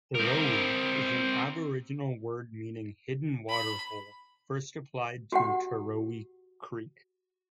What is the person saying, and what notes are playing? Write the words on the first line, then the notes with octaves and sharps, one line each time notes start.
"Terowie" is an aboriginal word meaning "hidden waterhole", first applied to Terowie Creek.
C4 A#4
B5
F#4 G4 F#5